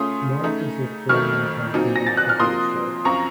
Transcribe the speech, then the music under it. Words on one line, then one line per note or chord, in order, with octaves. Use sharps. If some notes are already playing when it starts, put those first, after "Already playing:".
Mark is a film and television producer.
Already playing: C#3 A3 C#4 F4 C6 D#6
C#3 A3 D#4
F2 D#3 F#3 A3 C#6 F6
A#2 F#3 C4 D#4
A#6
A6
F#6
F6
C3 F3 A#3 C6 D#6
F#2 F3 C4 F4 A#5 C#6